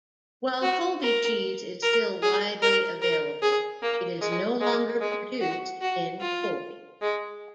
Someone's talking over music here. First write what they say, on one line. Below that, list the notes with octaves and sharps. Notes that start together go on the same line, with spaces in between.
While Colby cheese is still widely available, it is no longer produced in Colby.
F#4
A#4
A#4
G#4
A#4
A#4
G#4
A#3
G#3
G#3
G#3
F#4
F#4
F4
G#3